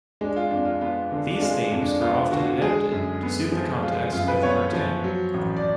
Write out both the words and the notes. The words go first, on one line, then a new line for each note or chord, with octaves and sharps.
These themes are often adapted to suit the context of the cartoon.
G#3 D4
F4
F2 D4
F4
B3 F4
D3
D4
G#3 F4
F2
D4
B3 F4
D3 F#4
G#3 G#4
F#2
B3
F3
G#3 F4
F4
F#2 F4
B4
B3 C#5
F3
F#3
A1
D5